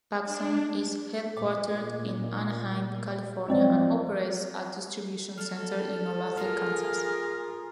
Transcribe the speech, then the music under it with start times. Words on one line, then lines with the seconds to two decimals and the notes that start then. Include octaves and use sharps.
PacSun is headquartered in Anaheim, California and operates a distribution center in Olathe, Kansas.
0.23 D4
1.37 A#2 D6
3.48 F3 G#3 C4 D5
5.37 A4 F6
6.37 F4 G#4 A#4 F6